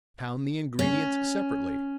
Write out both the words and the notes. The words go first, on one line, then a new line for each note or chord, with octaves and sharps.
Pound the ingredients separately.
C#4